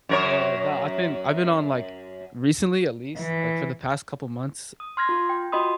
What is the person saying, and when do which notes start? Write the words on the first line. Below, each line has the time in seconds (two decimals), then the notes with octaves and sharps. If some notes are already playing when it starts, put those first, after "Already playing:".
Eh, no, I've been I've been on, like recently at least, like, for the past couple months,
0.09 F#2 A#4 C#5
3.18 E3
4.80 D#6
4.97 C6 F6 G#6 A#6
5.09 F4
5.29 G5
5.52 F4 F#4 D#5 B5 C6 D#6